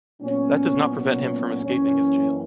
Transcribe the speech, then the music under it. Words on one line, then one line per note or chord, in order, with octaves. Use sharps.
That does not prevent him from escaping his jail.
A#2 F#3 B3 C#4
C#4
F#2 E3 A#3 C#4